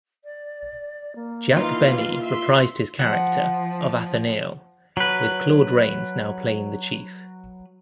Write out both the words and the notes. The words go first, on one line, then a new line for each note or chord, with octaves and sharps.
Jack Benny reprised his character of Athanael, with Claude Rains now playing the Chief.
D5
A#3
E3 D#4 F4 A#4 F5 C6
E5 C6
F3 F#5
F#3 B4